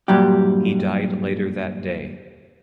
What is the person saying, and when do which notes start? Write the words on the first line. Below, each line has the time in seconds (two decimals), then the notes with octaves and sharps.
He died later that day.
0.08 G2 A#2 F#3 G3 G4